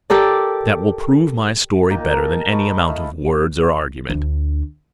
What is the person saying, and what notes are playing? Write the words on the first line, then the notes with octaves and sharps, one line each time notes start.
That will prove my story better than any amount of words or argument.
G4 A4 A#4 D5
A#2 A#3 D#4 G5
A#4 A5
D#5 A5 B5 C#6
A3 E4 D#5 F5
D2 D4